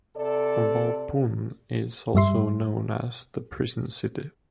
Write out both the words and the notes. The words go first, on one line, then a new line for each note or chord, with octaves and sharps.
Waupun is also known as The Prison City.
C3 A4 D5
G2 G3 E5 C6